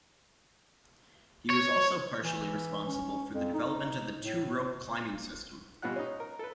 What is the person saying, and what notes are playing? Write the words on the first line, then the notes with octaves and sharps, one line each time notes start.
He was also partially responsible for the development of the "two rope" climbing system.
C#5
E3
C#4
F2
D#4
A2
B2 E3 G3 F4 F#5 F#6
C#4 D#4
A#4
A4 B4